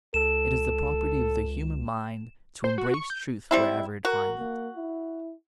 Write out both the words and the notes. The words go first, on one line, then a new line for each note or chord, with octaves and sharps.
It is the property of the human mind to embrace truth wherever it finds it.
C#2 A4 E7
C5
F#4
C#6
G6
G3 C4 E4
F#4 A#4
A#3
E4